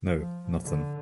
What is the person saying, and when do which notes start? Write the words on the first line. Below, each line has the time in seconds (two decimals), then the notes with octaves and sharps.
No nothing.
0.14 F3
0.63 D3